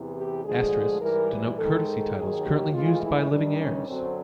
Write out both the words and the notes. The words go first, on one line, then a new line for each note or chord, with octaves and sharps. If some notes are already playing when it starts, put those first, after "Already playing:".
Asterisks denote courtesy titles currently used by living heirs.
Already playing: E2 C3 E3
G4
D2 D3 F3 G#3 G#4
G#2 E3 G3 A#4
G#2 D#3 G#3 A4
A4
D#2 D#3 F#3 G#4
G4
A2 E3 G#3 F4
E4
G2 D#3 G3 D4
C#4
F#2 D3 F#3 C4